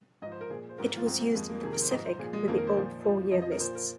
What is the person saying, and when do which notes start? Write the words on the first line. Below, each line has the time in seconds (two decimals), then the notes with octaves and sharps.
It was used in the Pacific with the old four-year lists.
0.22 G#2 D#5
0.26 F3
0.32 C5
0.41 A#4
0.50 A#2 F3 G#4
0.69 C5
0.78 G#2 F3 A#4
0.97 F4
1.06 G#2 F3 C4
1.21 A#3
1.34 F2 F3 G#3
1.49 A#3
1.63 F2 C3 D#3 G#4
1.73 A#4
1.81 C5
1.91 G#2 F3 D#5
2.05 C5
2.19 A#2 F3 G#4
2.33 G#3
2.48 F2 A#3
2.50 D#3
2.58 A#4
2.67 C5
2.76 A#2 F3
3.04 F2 F3
3.32 F2 F3 D#5
3.42 D#5
3.51 A#4
3.60 A#2 F3 C5
3.75 A#4